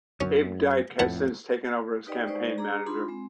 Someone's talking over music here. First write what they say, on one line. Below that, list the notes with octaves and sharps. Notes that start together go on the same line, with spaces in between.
Abe Dyk has since taken over as campaign manager.
F#2 C#4
F2 A2 B4 F#5 A5
D#4 G4 B4 D5 D#5 G5
G#3 D#4 B4 C5 D5 C#6
D4 G#4 A#5
D4 D#4 F4 B5 C6
G#3 C4